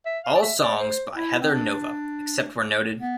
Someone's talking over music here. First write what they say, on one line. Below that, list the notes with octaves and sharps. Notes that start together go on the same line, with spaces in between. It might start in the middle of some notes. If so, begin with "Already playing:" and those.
All songs by Heather Nova, except where noted.
E5
F5
D5
E5
D5
C5
E4
C4
D4
B3